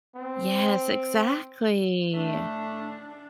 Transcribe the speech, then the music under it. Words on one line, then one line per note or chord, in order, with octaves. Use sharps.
Yes, exactly.
C4
A2 A3 D4